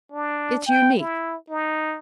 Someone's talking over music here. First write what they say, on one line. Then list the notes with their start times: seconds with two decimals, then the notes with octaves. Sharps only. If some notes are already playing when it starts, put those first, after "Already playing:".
It's unique.
0.12 D4
0.66 G5
0.98 E4
1.50 D#4